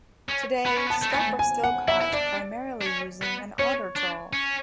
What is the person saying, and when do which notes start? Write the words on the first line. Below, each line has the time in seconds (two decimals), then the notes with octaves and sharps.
Today, scup are still caught primarily using an otter trawl.
0.29 C#4
0.66 B3 B5
0.77 C#4
0.88 B3
0.90 A5
1.03 A3
1.11 B3
1.15 G#5
1.20 A3
1.39 G#5
1.64 F#5
1.88 E4 E5
2.01 E4
2.13 D4 D5
2.81 D4
2.86 C#4
3.23 B3
3.59 C#4 C#5
3.96 D4
4.33 C#4